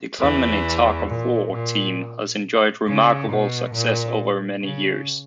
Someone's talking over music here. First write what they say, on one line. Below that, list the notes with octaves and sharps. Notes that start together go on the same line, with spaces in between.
The Clonmany Tug of War team has enjoyed remarkable success over many years.
E2 E3
A#2
A#2
C#3
B2
A#2
C#3